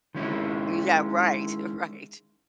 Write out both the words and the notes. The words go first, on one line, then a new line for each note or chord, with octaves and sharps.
Yeah, right, right.
D#3 G#3 C#4 E4